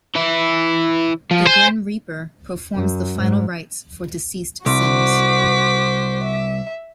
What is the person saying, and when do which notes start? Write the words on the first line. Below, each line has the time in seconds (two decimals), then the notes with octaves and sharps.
The Grim Reaper performs the final rites for deceased Sims.
0.15 E3 E4
1.31 F3
1.47 C5 G#5
2.76 F#2
3.16 G#2
4.66 C2 F#4 C5 D6 B6
6.24 E5